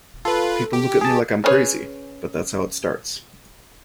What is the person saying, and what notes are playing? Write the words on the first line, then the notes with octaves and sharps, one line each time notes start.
People look at me like I'm crazy, but that's how it starts.
F4 A4 B4
G4
G#4 A5
C#4 D4 G#4 B4 C#5